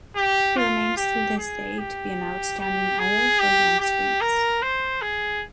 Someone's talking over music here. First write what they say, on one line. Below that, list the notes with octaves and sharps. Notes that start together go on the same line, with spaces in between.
He remains to this day to be an outstanding idol for young swedes.
G4
F4
G4
G#4
G4
G4
G#4
G4
G4
A#4
C5
G#4